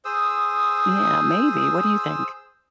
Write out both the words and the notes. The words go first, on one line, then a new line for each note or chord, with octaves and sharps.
Yeah, maybe, what do you think?
G#4 C5 D#6 E6